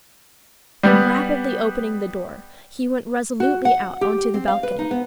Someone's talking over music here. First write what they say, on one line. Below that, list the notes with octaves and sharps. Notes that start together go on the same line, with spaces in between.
And rapidly opening the door he went resolutely out onto the balcony.
G3 B3
F#4
F#5
G4
C4
F5
B4
D#4
B3